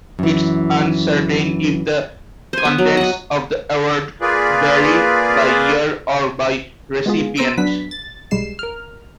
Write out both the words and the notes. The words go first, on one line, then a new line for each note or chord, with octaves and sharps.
It's uncertain if the contents of the award vary by year or by recipient.
F#2 E3
C5 G#5
B3
F#3
D#5 F#5
A#3 F4 G#4 B4 D5
G#3 B3 F4 G#4
B3 C5 A#5 E6 D7
F#3 B3 D4 B4 B6
A6
B1 G3 G#3 C7 E7
A#4 F6